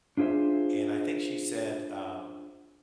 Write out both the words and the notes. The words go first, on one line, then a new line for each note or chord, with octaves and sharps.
and I think she said, um
D4 F4 G#4 C5 E5